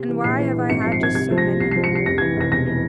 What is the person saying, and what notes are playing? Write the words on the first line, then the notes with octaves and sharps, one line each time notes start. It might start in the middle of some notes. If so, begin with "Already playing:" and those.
And why have I had just so many and no more?
Already playing: C3
E3
A#1 C7
E3
A#1
G#1 C#7
C7
F3
C7
G#1 G#6
C2 G#6
F3
A#6
C2
C2 C7
C7
F3
C#7
C2 C7
F1 A#6
G#6
E3
F1 A#6
E1 A#6
E3